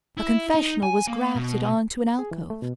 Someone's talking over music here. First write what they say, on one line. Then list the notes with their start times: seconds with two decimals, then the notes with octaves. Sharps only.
A confessional was grafted on to an alcove.
0.17 E4
0.55 D#4
0.83 G#5
1.07 A#3
1.36 B2
2.19 G#4
2.31 E3
2.50 A3
2.62 B2